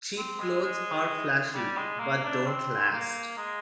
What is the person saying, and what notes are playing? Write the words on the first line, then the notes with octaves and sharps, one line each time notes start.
Cheap clothes are flashy but don't last.
C4
G#3
G#3
G3
G#3
A#3
D4
C4
A#3
G#3